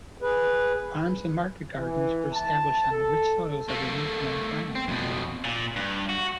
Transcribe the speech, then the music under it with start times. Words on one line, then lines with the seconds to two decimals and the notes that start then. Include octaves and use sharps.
Farms and market gardens were established on the rich soils of the reclaimed land.
0.22 G#4 B4
1.78 E3
2.33 A5
2.91 A4
3.69 A3 A#3
4.75 C4
4.88 F2 B2
5.44 A#2
5.76 G2
6.09 F#4